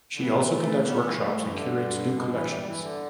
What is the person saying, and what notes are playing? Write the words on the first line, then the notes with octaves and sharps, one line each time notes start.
She also conducts workshops and curates new collections.
D3
E3 B3
A3
G3 B3
E3
G3 A3
E3
G2 D3
G2
B2
E3
G3
G3
E3
D3